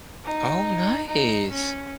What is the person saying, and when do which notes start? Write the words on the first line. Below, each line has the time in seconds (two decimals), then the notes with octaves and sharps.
Oh, nice.
0.25 D#4
1.09 D#4
1.51 C#4